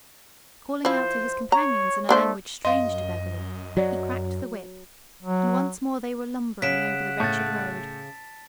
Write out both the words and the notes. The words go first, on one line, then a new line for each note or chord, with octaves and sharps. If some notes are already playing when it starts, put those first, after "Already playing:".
Calling out to his companions in a language strange to Beverly, he cracked the whip, and once more they were lumbering over the wretched road.
F3 E4 C5
C#5 A#5
A3 A#3 D4 C5
F#2 D#5 F5 C6
F#3 D5
F#3
C#3 F#5 B6 D7 E7
A2 A5 A6